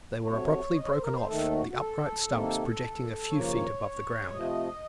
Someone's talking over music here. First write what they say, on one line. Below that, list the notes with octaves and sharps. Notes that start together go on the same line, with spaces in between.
They were abruptly broken off, the upright stumps projecting a few feet above the ground.
C3 F#3 A3 C#5
D#5
C#5
C5
A#4
C5
D#2 D#3 A3 A4
F#4
F#4
A4
C3 D#3 A#3
D#2 C#3 F3 A#3 C#5
C3 F3 A3 D#5